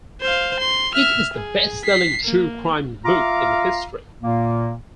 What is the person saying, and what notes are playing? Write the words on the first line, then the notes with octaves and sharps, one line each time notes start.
It is the best-selling true crime book in history.
C5 F5
C6
E5 F6
G#4
B6 C7
A#3
F4 E5 F5 A#5 D6
A#2 A#3